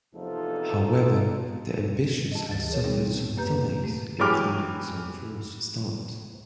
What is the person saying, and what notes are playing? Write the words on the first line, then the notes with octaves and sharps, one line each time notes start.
However, the ambition has suffered some delays, including some false starts.
E2 C3 F3 D#4 F4 A4
D#5 A5
D2 E3 A6
G#4 A#4 C#5
G3 B3 C4 D#4 G#4
F#2 A#3 G4 B4 A#5 G6
A2 A3 G4
E3 F#3 G#3 G4 D6 F6